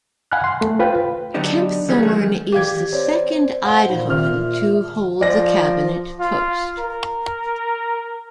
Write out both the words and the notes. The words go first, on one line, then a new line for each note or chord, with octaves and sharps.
Kempthorne is the second Idahoan to hold the Cabinet post.
F5 F#5 G#5 B5 F6 F#6
C6
A3
F4 B4 C5 F5 G5
D3 F#3 B3 D4 D#4 G4
E3 G3 B3 C#4 G#4
F2 D#3 F#3 G#3 A3 G#4
E3 G4 F5 D6 G#6
C4 C#5 D5
C5 F5 F#5 G7
A#2 D#4 F5
D#3 C5 E5 F6
F3 D5 A#6
F4
A#4